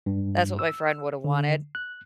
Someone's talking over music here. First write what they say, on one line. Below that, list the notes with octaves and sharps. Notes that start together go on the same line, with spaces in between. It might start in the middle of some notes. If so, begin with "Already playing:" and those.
that's what my friend woulda wanted.
G2
E6
D3
F#6